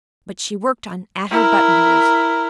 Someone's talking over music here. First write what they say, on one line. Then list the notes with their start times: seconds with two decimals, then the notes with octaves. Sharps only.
But she worked on at her buttonholes.
1.31 E4 A#4